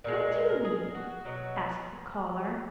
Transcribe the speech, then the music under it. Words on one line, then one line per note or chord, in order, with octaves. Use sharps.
"Where do you live?" asked the collar.
A#2 F3 G#3
A#4
G#4
F#4
B2 F#3